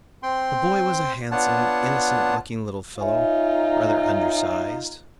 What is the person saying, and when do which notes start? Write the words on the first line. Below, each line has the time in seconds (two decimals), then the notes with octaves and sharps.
The boy was a handsome, innocent-looking little fellow, rather undersized.
0.23 C4 G5 C6
1.31 B3 D4 F4 C#5 F#5 A5
3.01 D#4 F4 C#5 E5 G#5